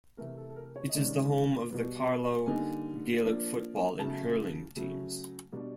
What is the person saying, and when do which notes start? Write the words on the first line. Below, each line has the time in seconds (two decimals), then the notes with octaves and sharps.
It is the home of the Carlow Gaelic football and hurling teams.
0.17 C3 E3 A3 A#4
0.37 A4
0.50 A4
0.56 A#4
0.76 C#5
0.89 D#5
0.94 C3 D#3 G#3 C#4 D5
1.70 B2 G3 B3
2.46 D3 G3 A#3 D#4 G#5
3.23 F3 A#3 D4
3.99 C#3 F#3 A3 A5
4.76 C#3 F#3 A3
5.52 B2 G3 B3 D4